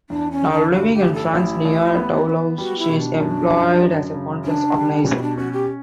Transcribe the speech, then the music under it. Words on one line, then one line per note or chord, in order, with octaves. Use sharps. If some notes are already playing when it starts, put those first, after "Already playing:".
Now living in France near Toulouse, she is employed as a conference organiser.
E2 D4
C#4
D3
D4
G2 F#4
G4
A1
A4
A1 E4
A1
B3
B3
G3 F#4
E4
B2
D4
F#2
F#2
F#2
C#3
C#4 D4
G3
B2 C#4
E4
D4
C#4 F#4
G4